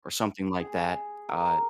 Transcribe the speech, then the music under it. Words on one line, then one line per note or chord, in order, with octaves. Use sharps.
or something like that. Uh,
G#4
A#4